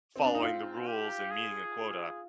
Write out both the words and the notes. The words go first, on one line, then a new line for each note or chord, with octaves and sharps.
following the rules and meeting a quota.
C4
D4
D#4
C4 F4
G4
G#4